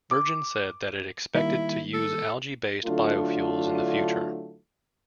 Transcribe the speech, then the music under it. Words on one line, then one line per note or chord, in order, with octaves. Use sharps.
Virgin said that it expected to use algae-based biofuels in the future.
D6
D#3 G3 A#3 E4
A4
D3 F#3 A3 D4 E4 F4